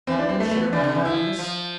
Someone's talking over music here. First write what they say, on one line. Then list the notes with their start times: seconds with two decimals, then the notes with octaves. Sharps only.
Do you share my madness?
0.07 E3 C4
0.19 D4
0.29 C4
0.40 A3
0.51 A3
0.57 B3
0.73 E3 D4
0.84 D3
0.95 E3
1.05 F3 E4
1.38 F3